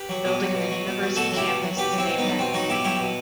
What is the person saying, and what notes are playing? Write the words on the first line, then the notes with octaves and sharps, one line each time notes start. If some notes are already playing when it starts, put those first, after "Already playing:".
A building in the university campus is named after him.
Already playing: G4 B4
F#3
B2
F#3
B2
F#3
B2
F#3
B2 F#4 A4
F#3 E4 G4
B2
F#3
B2 G4 B4
F#3
C4 E4
B2
B3 D#4
F#3
B2 C4
F#3 D#4 F#4
B2 E4 G4
F#3 E4 G4
B2